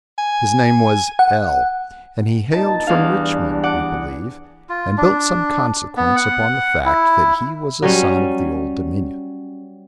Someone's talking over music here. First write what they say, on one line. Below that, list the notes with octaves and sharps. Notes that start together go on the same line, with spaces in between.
His name was L--, and he hailed from Richmond, we believe, and built some consequence upon the fact that he was a son of the Old Dominion.
G#5
F#5
G2 A#2 D#4 A5
E2 G3 D4 F5
F#5 D6
F4
D4
B3
F#5
E4
F#3 G3 C#4